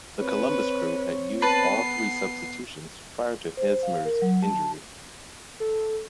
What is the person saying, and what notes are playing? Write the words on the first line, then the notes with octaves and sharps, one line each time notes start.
The Columbus Crew had used all three substitutions prior to Hesmer's injury.
C4 B4 C#5
B3 B4 A5 C7
C5
F5
A#4
F#3
A5
A4